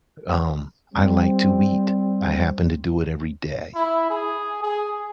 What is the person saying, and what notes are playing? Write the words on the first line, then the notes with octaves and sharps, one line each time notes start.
um, I like to eat. I happen to do it every day,
G3 C4
E4
G#4
G#4